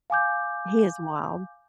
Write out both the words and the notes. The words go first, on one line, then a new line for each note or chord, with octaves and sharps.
He is wild.
F5 G#5 D6 G6